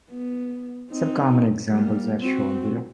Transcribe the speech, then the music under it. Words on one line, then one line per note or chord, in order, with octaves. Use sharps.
Some common examples are shown below.
B3
C4 D#4
G3 A#3
C4 F#4